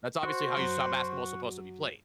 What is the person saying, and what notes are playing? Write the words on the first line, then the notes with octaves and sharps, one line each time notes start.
That's obviously how you saw basketball supposed to be played.
F#4 C5
F#2 F#3